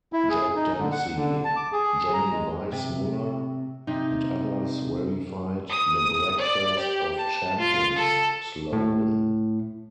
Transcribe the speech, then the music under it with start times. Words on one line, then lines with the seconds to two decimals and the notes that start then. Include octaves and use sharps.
Jack Dempsey, Johnny Weissmuller, and others verified the "Breakfast of Champions" slogan.
0.13 E4
0.30 G#4
0.55 D#4
0.77 D3
0.92 F#5
1.16 D3
1.44 A5
1.56 D6
1.72 G#4
2.13 A#5
2.31 G#3
2.72 C3
3.87 C3 D#4
5.70 D#6
6.39 D5
6.80 G4
7.18 A5
7.59 F4
7.96 A4
8.73 A2